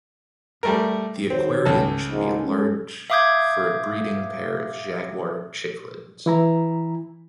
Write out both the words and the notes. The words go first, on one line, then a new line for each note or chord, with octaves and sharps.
The aquarium should be large for a breeding pair of jaguar cichlids.
G3 A3 A#4
D#3 C4 F#4 C#5
C#2 A4
G#1 G#2
G#3 C#4 A4
E5 F5 D6 D#6 G6 G#6
E3 E4 A#5